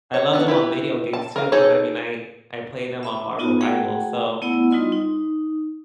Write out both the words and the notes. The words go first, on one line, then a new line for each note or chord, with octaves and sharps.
I love them on video games too, 'cause I mean, I I play them on Marvel Rivals, so,
C#5
B3 D4
E4 G4 B4
A5
A#4 F5
D#4 G#4 A4 C#5
E5 B5 D6
B3 D#4 F4 F#4
A3 F#4 G#4 F#5 G5
A3 B3 E4 D5 F#5
G3 D#4 F4 D#5 C6
D#4